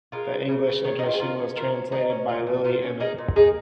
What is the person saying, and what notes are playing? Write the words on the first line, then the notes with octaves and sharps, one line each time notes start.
The English edition was translated by Lily Emmet.
G#3 F4 A#4
C#3
C#3
C#3
D#3 G#4 C#5
D#4
D#3 F4
G#4
D#3 F4 A#4
C#4
D#3 F4 A#4
C#4
D#3 D#4 G#4
C#4
A#2 F4
A#2
A#2 F4
C#4
A#3 D#4 G#4
A#2
A#3 D#4 G#4